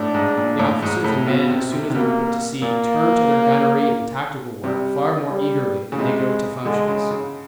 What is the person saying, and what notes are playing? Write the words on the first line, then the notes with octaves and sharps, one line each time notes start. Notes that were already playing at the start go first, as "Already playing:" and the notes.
The officers and men as soon as we put to sea turn to their gunnery and tactical work far more eagerly than they go to functions.
Already playing: A2 D4
G#2
A#2
A2
G#2
A2
B2 C4
B2
C3
C3
C3
B2 A#3
A#2 A#3
C3 G3
G3
C#3
C3 G#3
D3 G#3
C#3
C#3